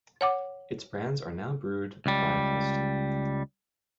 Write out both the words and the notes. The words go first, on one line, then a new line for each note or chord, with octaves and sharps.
Its brands are now brewed by Holsten.
C#5 F#5 D6
C#2 G3